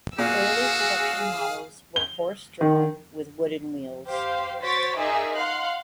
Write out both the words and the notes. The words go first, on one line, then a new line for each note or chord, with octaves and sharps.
Early production models were horse-drawn, with wooden wheels.
A#2 F#4 G#4 F5 E6
G7
D#3
G4 C5 F5
F#4 C5 C#5 A6 B6 D7
D#4 F4 G#4 A#4 D5 E5
F5 F#5 C6 F#6